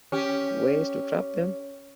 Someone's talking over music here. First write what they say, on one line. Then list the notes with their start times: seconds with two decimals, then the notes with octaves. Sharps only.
Ways to trap them?
0.12 C#4 G4